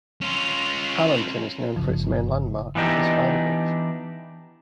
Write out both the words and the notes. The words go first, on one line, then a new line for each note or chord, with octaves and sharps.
Allenton is known for its main landmark, the Spider Bridge.
C#4 F4
G1 C#3 F3
E3 B3 D4 D#4 G4